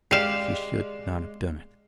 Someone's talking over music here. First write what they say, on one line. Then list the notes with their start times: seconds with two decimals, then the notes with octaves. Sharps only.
She should not have done it.
0.11 G#3 G4 D5 F5 C7 E7